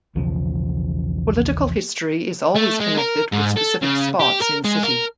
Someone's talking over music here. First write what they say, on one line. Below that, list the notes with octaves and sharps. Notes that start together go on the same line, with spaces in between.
Political history is always connected with specific spots in city.
B1 E2 C#3 F3
A3
G#3
A#4
G#2
A4
C#3
G4
A#4
G#3
A#4